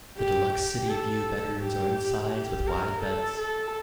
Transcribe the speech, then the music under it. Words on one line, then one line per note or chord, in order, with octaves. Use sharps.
The Deluxe City View bedrooms are in size with wide beds.
G4
G4
A4
G4
G4
A#4
A4
A4